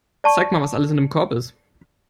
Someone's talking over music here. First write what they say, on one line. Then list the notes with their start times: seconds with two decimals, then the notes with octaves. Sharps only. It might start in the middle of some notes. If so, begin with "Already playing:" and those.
Zeig mal, was alles in dem Korb ist.
0.24 D5 A5 C#6